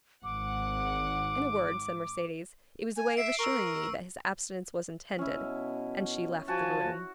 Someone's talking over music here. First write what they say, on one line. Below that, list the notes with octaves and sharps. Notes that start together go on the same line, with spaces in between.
"In a word," said Mercedes, "it was a way of assuring me that his abstinence was intended." And she left the room.
G#1 F#5 D6
G#5
E5 C7 D7
A#4 C#6 E6
B2 C#4 E4
F3 F#4 G#5 A5